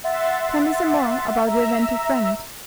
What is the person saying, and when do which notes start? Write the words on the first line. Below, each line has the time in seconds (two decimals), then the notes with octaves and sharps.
Tell me some more about your inventive friend.
0.04 E5 F#5 C6 A6
1.46 E5 A#5 E6